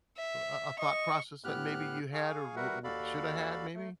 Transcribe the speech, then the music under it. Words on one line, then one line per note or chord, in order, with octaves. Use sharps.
a a thought process that maybe you had or wou wou shoulda had maybe?
E5
D#5 C#6
A2 B3 G4 F6 F#6
G#4 F5 G#5 C#6
G3 F#4 A#4 B4 E5 F#5
D#2 F#4 A4 D5 F5 B5
A3